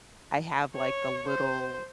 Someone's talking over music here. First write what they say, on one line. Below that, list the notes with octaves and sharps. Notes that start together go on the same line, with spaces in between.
I have, like, the little,
C#5
C5